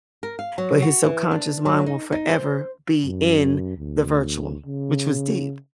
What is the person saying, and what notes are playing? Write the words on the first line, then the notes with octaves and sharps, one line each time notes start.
but his subconscious mind will forever be in the virtual, which was deep.
A#4
F5
F#3
F#4
E3
D4
F#3
D#4
D#4
C5
F#2
D2
C#3